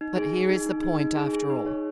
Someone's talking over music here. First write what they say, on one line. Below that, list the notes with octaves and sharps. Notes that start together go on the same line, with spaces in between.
But here is the point, after all.
D#4
G#4
G#4
D#4
D#4
D#4
D#4
G#4
G#4
D#4
C#5